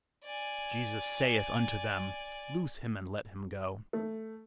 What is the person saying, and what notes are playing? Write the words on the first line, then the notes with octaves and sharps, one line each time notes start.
Jesus saith unto them, Loose him and let him go.
D5 G#5
A3